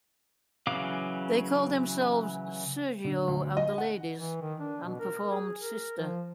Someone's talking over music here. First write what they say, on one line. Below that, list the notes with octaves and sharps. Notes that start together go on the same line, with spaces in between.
They called themselves "Sergio and The Ladies" and performed Sister.
C#3 E3 F#3 F5 D6
D3
D2
D#5
F#5
E3
D#3
D4
B2
A#4
G#4
A#4
F3